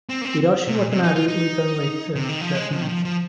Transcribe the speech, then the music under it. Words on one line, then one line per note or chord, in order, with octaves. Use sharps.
Hiroshi Watanabe returned later that night.
C4
A#3
C4
C3
A#2
C3
D#4
F4
D#4
C3
D#3
F3
G#3
F3
D#3
F3
F3